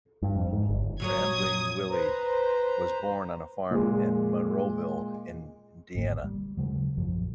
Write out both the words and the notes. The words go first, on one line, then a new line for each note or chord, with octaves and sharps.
Rambling Willie was born on a farm in Monroeville, Indiana.
G2
F2
G#2
G1
A#2 F#3 C#5 D#6 G#6
B4 C5 A#5
A#2 G#3
G#1 D2 A#3
G3
D#2 C#3 F#3 G#3
A#1 F#2 F3 F#3